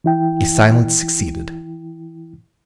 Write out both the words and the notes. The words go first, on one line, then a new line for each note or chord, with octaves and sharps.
A silence succeeded.
E3 E4 G5